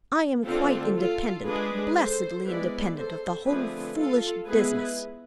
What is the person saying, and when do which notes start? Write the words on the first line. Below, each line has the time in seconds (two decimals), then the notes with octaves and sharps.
I am quite independent; blessedly independent of the whole foolish business.
0.45 D3 A3 C4 F4 A4
0.95 F4 A4
1.45 G#3 D4 G#4 B4
1.95 A4 C5
2.46 G#3 B3 E4 B4 D5
2.96 A4 C5
3.46 D3 F3 A3 C4 G#4 B4
3.96 F4 A4
4.46 G#3 B3 E4 G#4 B4